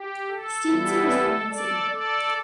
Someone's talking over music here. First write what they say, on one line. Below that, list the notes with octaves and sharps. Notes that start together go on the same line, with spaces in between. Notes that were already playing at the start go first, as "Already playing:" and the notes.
Stephenson was born in Sydney.
Already playing: G4
A4
E3 G3 B3 E4
A4 D5
A4 D5